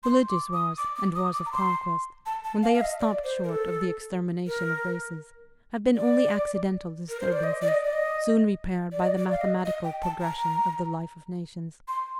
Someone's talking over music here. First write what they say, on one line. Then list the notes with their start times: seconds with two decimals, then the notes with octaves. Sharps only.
Religious wars, and wars of conquest, when they have stopped short of the extermination of races, have been only accidental disturbances, soon repaired by the mathematical progression of the life of nations.
0.03 C6
0.29 D6
0.53 D#6
0.78 D6
0.96 D6
1.15 D#6
1.33 D6
1.46 A#5
1.52 C6
2.26 A5
2.44 A5
2.63 F5
2.74 F5
2.81 D#5
3.00 D5
3.24 C5
3.44 A#4
3.49 A4
4.47 A#4
5.96 D5
7.09 A#4
7.20 C5
7.32 D5
7.43 D#5
7.62 D5
7.68 D#5
7.84 D5
7.93 D#5
8.92 D5
8.99 D#5
9.06 D5
9.17 D5
9.32 F5
9.41 D#5
9.65 D#5
9.84 G5
10.03 A5
10.21 A#5
11.88 C6